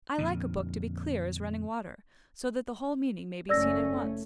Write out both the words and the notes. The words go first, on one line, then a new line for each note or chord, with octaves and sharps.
"I like a book to be clear as running water, so that the whole meaning may be seen at once."
F2 A#2 D3
F#1 A3 C#4 D5 E6 A#6